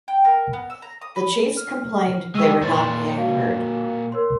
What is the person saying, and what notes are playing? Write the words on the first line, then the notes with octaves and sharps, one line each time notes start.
The chiefs complained they were not being heard.
G5
A#4
B3
E6
A#5
D#6
B4
F6
G#3 G4 C#6 E6 D#7
A#2 C#5 D5 C6 A6
F#4 F5
A#4 C#5 C6